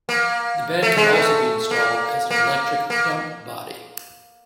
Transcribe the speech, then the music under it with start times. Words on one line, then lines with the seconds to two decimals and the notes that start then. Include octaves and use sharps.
The bed can also be installed as an electric dump body.
0.09 A#3
0.82 A3
0.97 G#3
1.12 A3
1.71 A#3
2.30 A#3
2.90 A#3